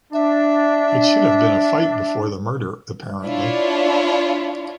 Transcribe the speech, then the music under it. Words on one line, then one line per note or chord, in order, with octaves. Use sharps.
It should have been a fight before the murder apparently.
D4 E5
D4 E4 F4 C#5 D5